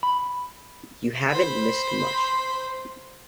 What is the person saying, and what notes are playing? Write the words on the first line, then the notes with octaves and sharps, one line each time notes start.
You haven't missed much.
B5
C5 B5